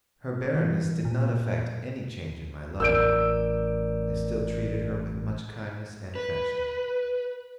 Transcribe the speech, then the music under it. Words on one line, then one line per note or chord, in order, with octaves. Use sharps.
Her barrenness did not effect any change in my love; I still treated her with much kindness and affection.
E3
A#2
A1 A#4 D5 E6 G6 D7
B4